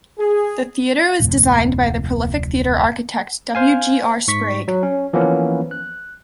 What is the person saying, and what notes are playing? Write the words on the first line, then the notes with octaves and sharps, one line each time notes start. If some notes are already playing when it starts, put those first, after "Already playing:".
The theatre was designed by the prolific theatre architect W. G. R. Sprague.
G#4
D1 F2 A2 C3
C5 F5 G#5
G#2 C#6 B6
F#3
C#4
E3 F3 A#3 B3 C#4
F#6